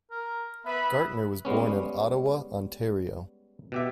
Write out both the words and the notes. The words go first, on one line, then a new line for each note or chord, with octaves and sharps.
Gartner was born in Ottawa, Ontario.
A#4
B3 B4 E5 B5
G3 G#3 B3 C#4
B2 G4 E5